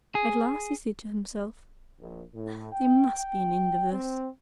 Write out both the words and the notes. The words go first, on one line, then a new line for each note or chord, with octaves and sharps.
At last he said to himself: "There must be an end of this."
G#4
A#1
A2
G5
C4